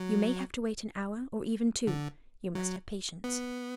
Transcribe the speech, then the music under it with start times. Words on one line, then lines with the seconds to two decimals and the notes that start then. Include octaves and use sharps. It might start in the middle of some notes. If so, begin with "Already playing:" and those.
You may have to wait an hour, or even two; you must have patience.
Already playing: F#3
1.87 D3
2.55 F#3
3.24 B3